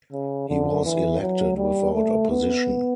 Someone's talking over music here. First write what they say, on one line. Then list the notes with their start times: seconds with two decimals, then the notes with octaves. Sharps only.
He was elected without opposition.
0.13 C#3
0.49 D3
0.85 E3
1.21 F#3
1.57 G3
1.95 A3
2.30 B3